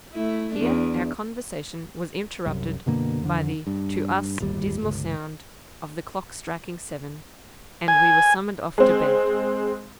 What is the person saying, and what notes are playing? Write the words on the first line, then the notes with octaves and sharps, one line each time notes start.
Here our conversation was interrupted by the, to us, dismal sound of the clock striking seven, and we were summoned off to bed.
A3 E4
E2 D4
C2 F#2
F#2 B2 D3 A#3
F2 D3
G2
D1 G1 D#2 G3
G1 C#2
G#5
G#3 C4